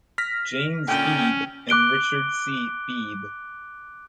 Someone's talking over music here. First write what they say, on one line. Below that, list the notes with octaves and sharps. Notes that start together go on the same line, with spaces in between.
James Beebe and Richard C. Beebe.
F6 A#6 B6
A#2 D3 C#4 G5
D6 F#6 D7 G7